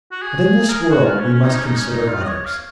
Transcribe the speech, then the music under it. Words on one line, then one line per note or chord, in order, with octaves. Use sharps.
But, in this world, we must consider others.
F#4
G#4
A#4
G#4
F#4
F4
C#4
C#4
D#4
C#4
D#4
C#4
D#4
F4
D#5
C#5
F5